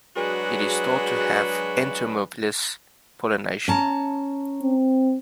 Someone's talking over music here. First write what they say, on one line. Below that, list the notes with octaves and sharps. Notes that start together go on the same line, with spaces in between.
It is thought to have had entomophilous pollination.
F#3 G#3 D4 F#4 G#4 B4
C#4 A5 A#5
C4